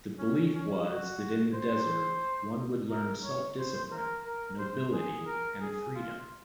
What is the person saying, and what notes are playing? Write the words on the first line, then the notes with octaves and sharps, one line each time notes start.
The belief was that in the desert, one would learn self-discipline, nobility, and freedom.
C#4
C#4
F#4
C5
A#4
C#5
C5
A#4
A#4
C5
G#4
A#4
G#4
F4